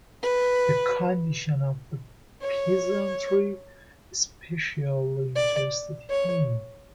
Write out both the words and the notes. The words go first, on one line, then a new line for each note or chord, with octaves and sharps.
The condition of the peasantry especially interested him.
B4
C#5
D5
C#5